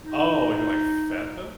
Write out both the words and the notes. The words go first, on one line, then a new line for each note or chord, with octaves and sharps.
Oh, you mean, like, Fanta?
D#4